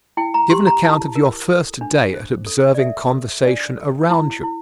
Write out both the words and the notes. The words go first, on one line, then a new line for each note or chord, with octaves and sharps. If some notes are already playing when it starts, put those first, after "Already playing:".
Give an account of your first day at observing conversation around you.
E4 G5
A#5
G4 C6
A#5
E4 A5
A#4
A4
D4
C5
A4
D5
A4 E5
A4
D4 D5
A4
E4
E4